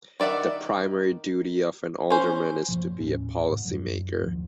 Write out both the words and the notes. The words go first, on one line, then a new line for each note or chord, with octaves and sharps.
The primary duty of an alderman is to be a policy maker.
D#3 D5 E5 F#5
C#4 C5
F#1 A#2 F3
D#2 A2 C#4
G#1 G#2 C3
F#2 F#3
F#2
G#1 D#2 F3